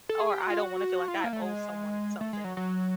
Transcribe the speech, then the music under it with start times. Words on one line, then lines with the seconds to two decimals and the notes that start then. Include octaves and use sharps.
or I don't wanna feel, like, I owe someone something.
0.09 A4
0.21 G#4
0.33 G4
0.41 F#4
0.50 F4
0.59 F#4
1.08 F4
1.15 E4
1.24 A#3
1.33 A3
1.42 G#3
2.21 A3
2.33 G#3
2.44 F#3
2.57 F#3